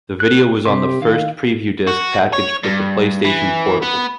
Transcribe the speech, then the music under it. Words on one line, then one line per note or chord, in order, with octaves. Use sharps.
The video was on the first preview disk packaged with the PlayStation Portable.
F#6
C3 G4 C6
D#3 F5
F#4
C#5
G2
E3
B3